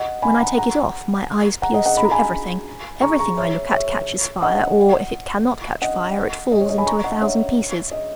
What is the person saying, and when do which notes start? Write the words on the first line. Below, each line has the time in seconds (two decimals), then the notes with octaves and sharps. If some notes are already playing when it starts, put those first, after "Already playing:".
When I take it off my eyes pierce through everything. Everything I look at catches fire, or, if it cannot catch fire, it falls into a thousand pieces.
Already playing: D#5 F#5
0.22 G#5 B5
0.40 F#5 A#5
0.57 F#5 A#5
1.62 F#5 A#5
1.74 D#5 F#5
1.86 D#5 F#5
1.97 B5
2.04 A#5
2.11 G#5 B5
3.02 A#5 C#6
3.19 A#5 C#6
3.37 C#5 E5
3.72 C#5 E5
4.42 D#5 F#5
5.82 D#5 F#5
6.52 D#5
6.60 C#5
6.69 D#5
6.78 G#5 B5
6.87 A#5 C#6
7.04 D#5 F#5
7.21 C#5 E5
7.91 D#5